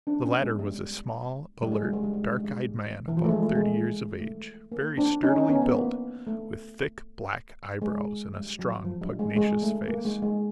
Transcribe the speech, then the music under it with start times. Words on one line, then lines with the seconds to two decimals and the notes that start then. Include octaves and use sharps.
The latter was a small, alert, dark-eyed man about thirty years of age, very sturdily built, with thick black eyebrows and a strong, pugnacious face.
0.07 C4 D4
0.24 B3 C#4
0.42 G#3
0.59 G3
1.62 G3
1.72 G#3
1.83 G3
1.93 G#3
2.03 G3
2.13 G#3
2.24 G3
2.34 G#3
2.44 G3
3.08 E3
3.17 F3
3.24 A3
3.30 G#3
3.43 A3
3.55 G#3
4.20 A3
4.72 A#3
4.98 C4 D4
5.23 C#4 D#4
5.36 C#4 D#4
5.49 B3 C#4
5.62 B3
5.75 A#3
6.27 A3
7.82 G#3
8.33 G3
8.59 F#3
8.84 F3
9.02 G3
9.19 G#3
9.36 G#3
9.62 A3
9.88 A#3
10.05 G#3
10.22 G#3